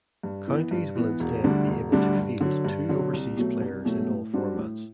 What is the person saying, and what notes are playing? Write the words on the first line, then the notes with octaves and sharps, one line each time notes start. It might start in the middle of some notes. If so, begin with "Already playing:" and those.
Counties will instead be able to field two overseas players in all formats.
G2
E3 B3
G2
E3 B3
E1
D2 D3 G3 D4
E1
D2 D3 G3 D4
G2
D3 F#3
G2
D3 F#3
C2
B2 F#3 A3
C2
B2 F#3 A3
A2
G3 D4 F#4 C5
A2